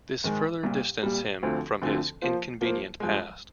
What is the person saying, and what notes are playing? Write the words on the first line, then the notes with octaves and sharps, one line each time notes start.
This further distanced him from his inconvenient past.
G#2 D#3 G#3
C2 A#2 G3
C2 A#2 G3
D2 D3 F3 C4
D2 D3 F3 C4
F3 A#3 F4 C5
F3 A#3 F4 C5
G2 F3 G#3